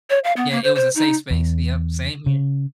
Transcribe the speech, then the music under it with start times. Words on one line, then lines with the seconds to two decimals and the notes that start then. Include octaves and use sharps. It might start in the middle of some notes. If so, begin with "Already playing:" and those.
Yeah, it was a safe space yep, same here.
0.10 C#5
0.24 F5
0.37 B3
0.51 A#3
0.64 C5
0.75 C5
0.95 D#4
1.31 E2
2.26 C#3